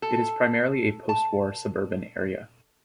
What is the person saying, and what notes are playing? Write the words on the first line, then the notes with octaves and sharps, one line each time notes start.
It is primarily a post-war suburban area.
A4
A5